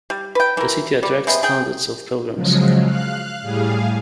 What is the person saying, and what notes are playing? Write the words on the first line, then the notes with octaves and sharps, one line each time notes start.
The city attracts thousands of pilgrims.
G3
B4 G5
E3 A#4
G3
C3 G#3 B3
G#4 G5
C#3 F3 F#3 G#3
F5 F#6
A2 G3 G#4 F5